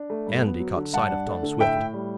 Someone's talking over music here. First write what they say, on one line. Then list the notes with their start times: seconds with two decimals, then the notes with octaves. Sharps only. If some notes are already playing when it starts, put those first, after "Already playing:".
Andy caught sight of Tom Swift.
Already playing: D4
0.10 A3
0.27 G2
0.44 B3
0.60 F#3
0.76 D3
0.93 G2 F#5 A5
1.09 D4
1.27 A3
1.43 D3
1.60 A2 E5 G5
1.76 A2
1.94 G3